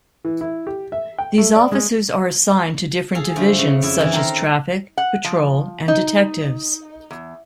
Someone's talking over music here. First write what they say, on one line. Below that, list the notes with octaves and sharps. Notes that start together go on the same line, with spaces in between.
These officers are assigned to different divisions such as traffic, patrol and detectives.
E3
E4
G4
E5
G5
A3
D5
G#3
G#4 A4 F5
D3 F3 A3
C#3
F2 E4
D#3 E3
D#4 G4 A4 A#4 C5
F#5
F3
D#4
E2